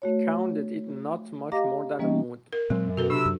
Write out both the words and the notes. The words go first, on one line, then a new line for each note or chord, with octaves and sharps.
She counted it not much more than a mood.
A3 F#4 C#5
G4 D#5 F5 A#5 D6 A#6
E3 G3 A#3 C#4 D#4 D#5
A#4
A#2 F#3 G#3 C4
F#2
B2 F#4 A4 B4
C3 D4 B5 E6
F#2